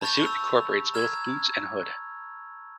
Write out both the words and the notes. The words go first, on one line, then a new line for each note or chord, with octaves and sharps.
The suit incorporates both boots and hood.
A5 B5 C#6 G6 A6 F7
E6
A#5 E6 F6 G#6